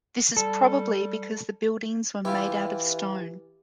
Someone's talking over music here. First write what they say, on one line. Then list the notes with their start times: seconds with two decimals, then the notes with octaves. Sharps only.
This is probably because the buildings were made out of stone.
0.37 G3 A4
2.25 E3 E4 F4 G4